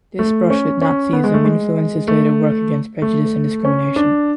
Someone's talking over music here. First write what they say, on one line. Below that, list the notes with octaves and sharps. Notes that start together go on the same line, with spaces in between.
This brush with Nazism influenced his later work against prejudice and discrimination.
A3
C#4
C#4
B3
G#3
A3
G#3
A3
A3
C#4
D4